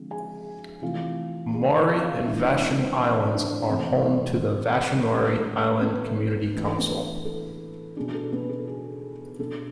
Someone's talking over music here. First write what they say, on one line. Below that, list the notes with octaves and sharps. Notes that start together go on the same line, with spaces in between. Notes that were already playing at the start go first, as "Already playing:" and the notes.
Maury and Vashon Islands are home to the "Vashon-Maury Island Community Council".
Already playing: D3 F3 G#3 C4
G#4 G#5
C3 E3 A3 F4 F5
G#4
F4 F5
C3 E3 G#3 D4 E4 E5
D4 D5
B3 B4
C4 C5
E5
D5
C5
D4 D5
C3 E3 A3 C4 C5
A2 G#3 D4
B3 B4
E3 A3 D4 B4
A4
B3 B4
A4
B2 B3 D4 G#4
A4
B3 B4
A4
G#4
B2 B3 D4 A4